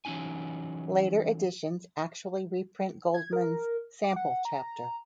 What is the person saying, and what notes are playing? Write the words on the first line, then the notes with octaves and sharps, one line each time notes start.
Later editions actually reprint Goldman's "sample chapter".
E3 F#3 C#4 D#4 G#5
G#6
A#4
D6
F#5
A#5